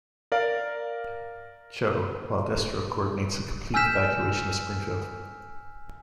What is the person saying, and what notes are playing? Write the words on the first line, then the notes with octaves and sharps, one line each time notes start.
Joe, while Destro coordinates a complete evacuation of Springfield.
A#4 D5 F5
G#5 E6 F6 G6 B6 E7